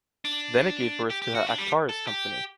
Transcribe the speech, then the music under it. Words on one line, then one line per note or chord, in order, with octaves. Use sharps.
Then it gave birth to the Actaris company.
D4
G4
G4
F#4
D4
G3
A4
G4